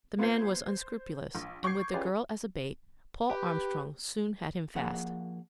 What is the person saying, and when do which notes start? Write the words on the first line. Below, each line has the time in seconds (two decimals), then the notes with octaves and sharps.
The man was unscrupulous, and with the girl as a bait, Paul Armstrong soon had him fast.
0.18 A#3 B3 F4 C5 G#6 C7
0.66 C5
1.35 A#1
1.64 C#6 D6 G6 G#6 C7
1.93 C#4 F4 G4 G#4 B4 D5
3.30 G4 B4
4.75 F3 A#3 G#4 F#5